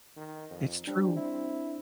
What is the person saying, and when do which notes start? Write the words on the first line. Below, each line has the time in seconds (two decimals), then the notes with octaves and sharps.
It's true.
0.17 D#3
0.50 F2
0.87 G3 D4 C5
1.17 C4 E4